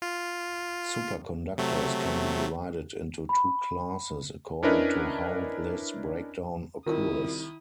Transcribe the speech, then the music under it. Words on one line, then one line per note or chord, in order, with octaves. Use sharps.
Superconductors can be divided into two classes according to how this breakdown occurs.
F4
C3 F#3 A3
B5
C#4 D4 E4 A#4 B4 D#5
C2 D#3 E4 F4 A#4 D#6